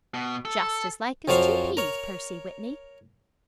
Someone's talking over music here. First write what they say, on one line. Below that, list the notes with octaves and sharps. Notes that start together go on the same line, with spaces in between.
"Just as like as two peas, Percy Whitney."
B2
A4
F2 F3 F#3 C#5 F5
A#4 C#5